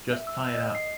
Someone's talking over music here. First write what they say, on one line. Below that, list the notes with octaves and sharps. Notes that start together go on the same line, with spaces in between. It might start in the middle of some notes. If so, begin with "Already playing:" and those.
Just tie it up!
E5
E6
D#5
C7